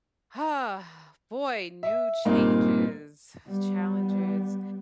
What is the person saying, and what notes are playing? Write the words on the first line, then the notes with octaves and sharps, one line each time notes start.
Ah, boy, new changes, challenges,
E5
G2 A#2 A#3 C4 D#4
G3 B3